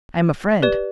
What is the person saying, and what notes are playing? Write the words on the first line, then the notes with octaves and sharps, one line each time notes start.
"I am a friend."
G4 B4 D5